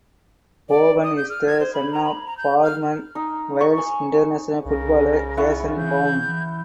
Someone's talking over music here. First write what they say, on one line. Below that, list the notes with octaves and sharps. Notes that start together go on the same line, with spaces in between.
Bowen is the son of former Wales international footballer Jason Bowen.
D5
D#6
G6
F6
G#6
C5
B5
A#5
B5
A#5
G6
F6
D#4
C#6
G#5
C2 C#3 A#4
E4 F4 F#5 C#6
E3 G6
E3